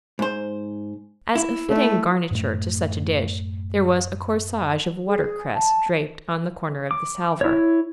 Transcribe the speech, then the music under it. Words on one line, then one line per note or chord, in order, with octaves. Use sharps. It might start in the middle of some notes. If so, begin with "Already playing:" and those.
As a fitting garniture to such a dish, there was a corsage of watercress draped on the corner of the salver.
G#2 C5
E4
A3
F#2 A2 A3
G#4
A5
D6
E4 C#5